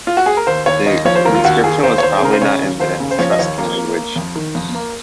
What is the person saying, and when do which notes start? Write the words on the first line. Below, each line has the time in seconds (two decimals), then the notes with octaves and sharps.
The inscription was probably not in the Etruscan language.
0.07 F4
0.17 F#4
0.26 G#4
0.37 A#4
0.47 D#2 C5
0.66 D#2 C#5
0.86 D#2 D#5
1.05 F3 C#5
1.15 C5
1.25 D#2 A#4
1.35 F4
1.44 D#2 F#4
1.64 D#2 G#4
1.83 D#2 C5
1.98 C#5
2.03 D#2 C5
2.17 G#4
2.22 C#3 A#4
2.33 C5
2.41 C#3 C#5
2.60 D#2
2.80 D#2 C5
3.00 C#3
3.11 C5
3.19 F3 C#5
3.31 D#5
3.39 D#2 C#5
3.58 A#3
3.77 A#3
3.96 A#3
4.16 F2
4.36 D#3
4.55 F2
4.75 A#3